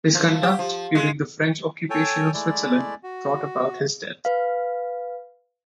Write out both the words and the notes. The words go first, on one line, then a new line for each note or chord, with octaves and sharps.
His conduct during the French occupation of Switzerland brought about his death.
F3
G4
F3
G#3
A4 C#5 G5 G#5
G#3 A3 E4 D5
F#4
B4 F5